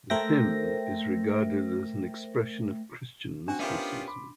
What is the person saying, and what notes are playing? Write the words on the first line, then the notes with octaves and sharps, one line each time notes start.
The hymn is regarded as an expression of Christian mysticism.
A3 A#4 C5 E5 G5 A#6
C4 D4 F#4
B3 C#4 F4 G4 A#4 C5 D5 E5
B5 C6 D6